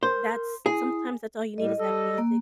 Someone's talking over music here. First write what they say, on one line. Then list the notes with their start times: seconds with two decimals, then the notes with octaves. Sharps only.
that's sometimes that's all you need is that basic
0.03 A#4 C5
0.66 E4 G#4
1.58 A2 G3 D#5
1.79 G3 A4 D#5 E6
2.18 A#3